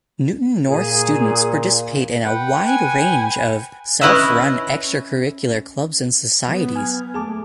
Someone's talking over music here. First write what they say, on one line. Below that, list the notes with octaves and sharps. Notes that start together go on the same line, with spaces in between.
Newton North students participate in a wide range of self-run extracurricular clubs and societies.
A#2 G#4
B4 F#5 G5
G#5
C#4 E4 B4 D#5 E5
F#3 B3
G#5 F6 G#6
A3 A#3 G#4 A5 D6